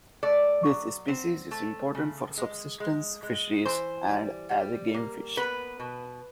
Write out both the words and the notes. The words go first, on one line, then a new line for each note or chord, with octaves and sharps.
This species is important for subsistence fisheries and as a gamefish.
A3 D5
F#3
C4
A3
C#3
G#3
G#3
G#3
E3 C5
G3
G3
A#3
B3 B4
B2